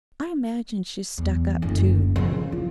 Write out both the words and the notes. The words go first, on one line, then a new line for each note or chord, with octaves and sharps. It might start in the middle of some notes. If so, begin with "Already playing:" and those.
I imagine she's stuck up, too.
E2
F#1 D2
C#3 F3
F4